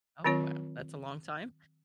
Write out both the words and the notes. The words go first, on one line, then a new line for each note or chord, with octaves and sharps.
Oh, wow, that's a long time.
D#3 F#3 C4 F4 C#5